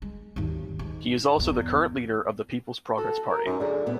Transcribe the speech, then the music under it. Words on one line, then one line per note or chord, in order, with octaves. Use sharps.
He is also the current Leader of the People's Progress Party.
G#3
G#1 D#2
G#2
E2
F#4 A4
A#4
F#2 C#4 D#4
D3 F#4 G#4
A#2 B3 C4